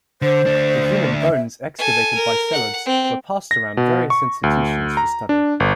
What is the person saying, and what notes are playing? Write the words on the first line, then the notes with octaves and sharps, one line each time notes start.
The human bones excavated by Sellards were passed around various institutions for study.
D3 C5
D2 D4
E5
A4 G#5
A#4
F#5
C4
A#6
B2
C#6
D2
A#5
D4
G1